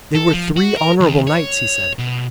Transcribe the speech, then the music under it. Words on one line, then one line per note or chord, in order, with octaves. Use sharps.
'They were three honourable knights,' he said.
A4
F3
F#4
A#4
D#2
C#5
B2